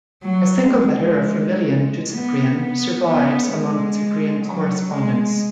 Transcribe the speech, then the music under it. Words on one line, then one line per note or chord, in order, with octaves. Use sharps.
A single letter of Firmilian to Cyprian survives among Cyprian's correspondence.
F#3
G#3
B3
B3
B3
G#3
F#3
G#3